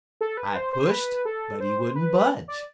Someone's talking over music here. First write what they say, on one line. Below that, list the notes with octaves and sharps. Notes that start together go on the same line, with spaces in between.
I pushed, but he wouldn't budge.
A4
B4
C5
C5
B4
A4
C5
B4
D5